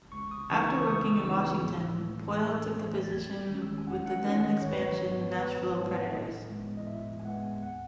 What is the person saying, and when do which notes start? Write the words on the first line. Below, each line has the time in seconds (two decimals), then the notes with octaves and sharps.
After working in Washington, Poile took the position with the then-expansion Nashville Predators.
0.12 C#2 C#6
0.31 D#6
0.49 C#3 E3 B3 D#4 C#6
0.69 C#6
0.83 C#6
0.87 C#2 D#6
1.05 E6
1.25 C#3 E3 B3 D#4 E6
1.43 E6
1.62 A2
2.00 E3 A3
2.37 A2
2.75 E3 A3
3.04 A6
3.12 E2 G#6
3.50 D#3 G#3 C#4
3.62 E6
3.78 G#5
3.87 E2 F#5
4.06 F#5
4.24 D#3 G#3 C#4 F#5
4.44 D#5
4.62 G#1 C#5
4.71 B4
4.79 C#5
5.00 G#2 F#3 B3
5.37 G#1 B4
5.74 G#2 F#3 B3 A5
5.83 G#5
5.93 F#5
6.03 E5
6.12 A2 D#5
6.49 G#3 B3
6.77 D#5
6.87 A2 E5
7.20 G#5
7.24 G#3 B3 F#5
7.43 G#5
7.62 D#2 F#5